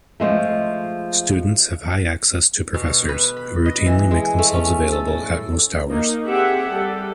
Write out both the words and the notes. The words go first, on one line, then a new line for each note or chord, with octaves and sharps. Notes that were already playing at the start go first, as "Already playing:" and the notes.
Students have high access to professors, who routinely make themselves available at most hours.
F3 G#3 A3
B2
B4
B5
D#5
E3
G#3
A3
C#4
A4
A2
A#3 D#4
C4 G4 G#4 E5 F#5
G3 A4